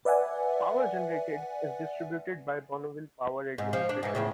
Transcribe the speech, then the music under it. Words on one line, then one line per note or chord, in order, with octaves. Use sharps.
Power generated is distributed by the Bonneville Power Administration.
B4 D5 E5 F#5 G#5
G#2
F3
D4
G#2 E3
E2 A2 C#3